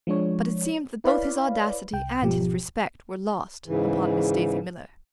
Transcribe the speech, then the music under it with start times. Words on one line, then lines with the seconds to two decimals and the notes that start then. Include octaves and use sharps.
But it seemed that both his audacity and his respect were lost upon Miss Daisy Miller.
0.07 F3 G#3 D4 C#5
1.04 E4 B4 C#5 D5 F5 B5
1.93 C2 G5
2.21 G#1 B2 F3 G4
3.66 G#2 C#3 E3